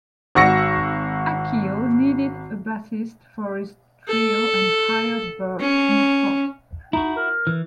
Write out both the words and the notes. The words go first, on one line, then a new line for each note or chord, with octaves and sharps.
Akio needed a bassist for his trio and hired Birch on the spot.
G#1 F#4 C#6 E6 A#6 C#7
A4
C#4
D#4 E4 F#4
A#4
E3